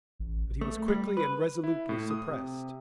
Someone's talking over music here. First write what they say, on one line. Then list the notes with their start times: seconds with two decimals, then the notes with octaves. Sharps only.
But he was quickly and resolutely suppressed.
0.19 A1
0.61 A3
0.88 G3
1.17 B4
1.64 E4
1.89 A2
2.11 D#6
2.29 C3